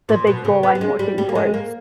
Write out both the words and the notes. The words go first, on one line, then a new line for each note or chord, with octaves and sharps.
the big goal I'm working towards.
A#2
B2
C#3
B3
G3
G#3
G3
G3
A#3
G#3
A#3